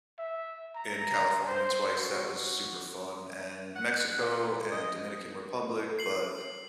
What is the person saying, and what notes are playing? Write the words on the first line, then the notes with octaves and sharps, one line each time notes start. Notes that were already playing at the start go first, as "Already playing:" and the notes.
in California twice, that was super fun, and Mexico and Dominican Republic, but
E5
A#5
C5
F#4
F#5
A#2
D#5
C7 F#7